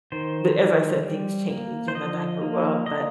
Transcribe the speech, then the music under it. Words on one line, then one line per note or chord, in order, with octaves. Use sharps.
But, as I said, "Things change, and then I grew up." But
D#3 C5
D#3
G3
A#3
C5
F3 D#5
A#3
A#3 D#5